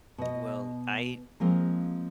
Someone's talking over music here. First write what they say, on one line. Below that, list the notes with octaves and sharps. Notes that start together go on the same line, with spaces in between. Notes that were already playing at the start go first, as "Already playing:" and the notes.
Well, I
B2 D#5
F3 G#3 A#3 C4